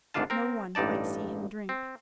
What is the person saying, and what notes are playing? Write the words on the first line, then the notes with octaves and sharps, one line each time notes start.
No one might see him drink.
G#1 D2 G#2 D4 F4 A5
C4 A#4
A1 G2 D#4 D5 A5
C4